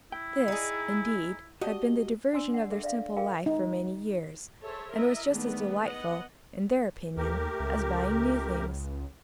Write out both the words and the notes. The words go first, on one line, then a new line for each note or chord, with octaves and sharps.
This, indeed, had been the diversion of their simple life for many years, and was just as delightful, in their opinion, as buying new things.
E4 G5
D#4 G#4
F#4 G4 D#5 A5
D4 D5 G#5 C6 D#6 E6
F#5
G#4 A4 E5
D5 E5 F5
F#4 G#4 A#4 F5 G5 G#5
D#4
G#4 A4 C5 C#5 E5
E4 A#4 D#5 E5
D#3 G#3 A3 B3 D4
B3 D#5 F#5
D#2 A3 G4 A#4
C#2